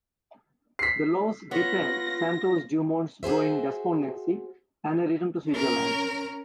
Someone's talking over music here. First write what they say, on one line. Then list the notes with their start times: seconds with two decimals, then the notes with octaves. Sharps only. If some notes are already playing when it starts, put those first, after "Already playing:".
The loss deepened Santos-Dumont's growing despondency, and he returned to Switzerland.
0.79 B6 C7
1.51 B3 F4 C#5 A#6
3.23 F#4 G#4 C5 E5
5.50 C#4 A#4